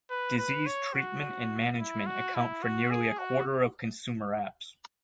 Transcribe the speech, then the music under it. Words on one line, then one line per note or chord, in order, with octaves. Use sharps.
Disease treatment and management account for nearly a quarter of consumer apps.
B4
B4
C#5
F#4
E4
F#4
E4
F#4
G#4
F#4